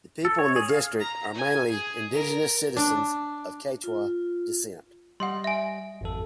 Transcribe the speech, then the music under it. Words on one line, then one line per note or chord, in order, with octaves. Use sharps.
The people in the district are mainly indigenous citizens of Quechua descent.
A4
C#5
G#4
F5
A#5
G#5
G#4
A#4
D4
F4
G3 D#5 F#5 C6
E5 G#5
G#1 F2 A4